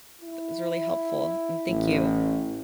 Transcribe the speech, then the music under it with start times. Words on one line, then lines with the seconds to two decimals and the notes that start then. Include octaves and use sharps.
that was really helpful, and thank you
0.21 E4
1.69 A1